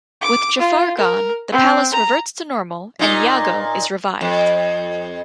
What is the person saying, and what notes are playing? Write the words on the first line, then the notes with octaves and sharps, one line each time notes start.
With Jafar gone, the palace reverts to normal and Iago is revived.
D6
F4
A#4
C4
A#5
A#2 D#4
F2